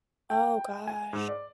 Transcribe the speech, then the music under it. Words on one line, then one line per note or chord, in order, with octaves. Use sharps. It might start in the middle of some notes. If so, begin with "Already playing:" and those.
Oh, gosh.
G5
G#5
G#2
D5